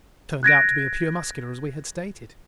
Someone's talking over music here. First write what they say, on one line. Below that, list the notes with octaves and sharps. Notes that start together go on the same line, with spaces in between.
He turned out to be a pure Muscular as we had stated.
F#6 G#6 A#6 D7